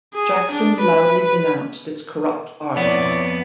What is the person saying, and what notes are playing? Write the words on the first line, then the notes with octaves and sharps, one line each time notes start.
Jackson loudly denounced this corrupt bargain.
G#4
D4
B4
F2 B3 E4 C#5 D5